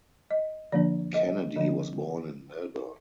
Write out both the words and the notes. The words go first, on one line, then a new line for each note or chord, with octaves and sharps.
Kennedy was born in Melbourne.
D#5
D3 F3 A#3 D4 D5
D#5
D3 F3 A#3 D4 D#5